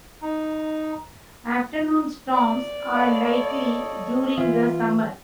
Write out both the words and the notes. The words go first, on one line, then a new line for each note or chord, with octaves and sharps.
Afternoon storms are likely during the summer.
D#4
D5
A4 C#5 D#5 F5 B5
E3 F4 E5